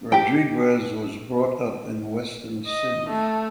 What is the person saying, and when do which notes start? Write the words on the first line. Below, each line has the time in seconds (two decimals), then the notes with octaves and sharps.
Rodriguez was brought up in Western Sydney.
0.12 G4 G5
2.67 D#5
3.09 A3